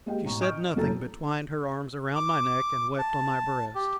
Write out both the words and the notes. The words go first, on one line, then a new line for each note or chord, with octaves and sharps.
She said nothing, but twined her arms around my neck and wept on my breast.
G#3 A#3 G4 D#5 G5
A1 B2 A#5 C#6
D#5 C#6 D#6 F6 G6 D7
F#1 A2 F#3 A4 A#5 A6
D6
A5
G4